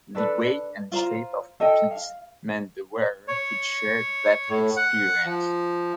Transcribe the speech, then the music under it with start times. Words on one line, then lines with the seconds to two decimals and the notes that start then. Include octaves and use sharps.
The weight and shape of the piece meant the wearer could share that experience.
0.15 D4 A4 B4
0.92 F4 C5 A#5
1.60 A4 D#5 G5
1.91 F5
3.28 C#5
4.49 A2
4.77 F#5
5.25 F3